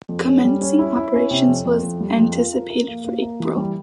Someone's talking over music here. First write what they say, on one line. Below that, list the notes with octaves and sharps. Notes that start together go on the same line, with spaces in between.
Commencing operations was anticipated for April.
F2
C#4
G3
C#4
E4
E4
C#4
C3
F2
F2
F2
G3
F2
F4
A#4
A#4
A#3
A#3
A#4
E3
G3